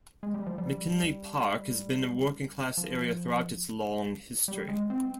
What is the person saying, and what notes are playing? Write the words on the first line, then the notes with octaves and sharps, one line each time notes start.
McKinley Park has been a working-class area throughout its long history.
G#3
G3
F3
G3
F3
G3
G#3
C4